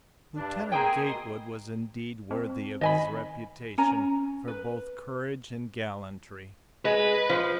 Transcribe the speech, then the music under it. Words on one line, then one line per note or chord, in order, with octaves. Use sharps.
Lieutenant Gatewood was indeed worthy of his reputation for both courage and gallantry.
G2 D4
A#3 C4 G#4 G5 G#5
B2 C6 D#6
C4
D#3 D#5 G#5 B5
C#4 G#5 A#5
B4
G#3 B4
F3